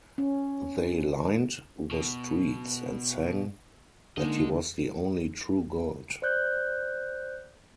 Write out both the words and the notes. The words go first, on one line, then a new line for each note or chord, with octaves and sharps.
They lined the streets and sang that he was the only true god.
C#4
B2
D3 G#3 A#3 D#4 D#5
C5 D5 F#6 G6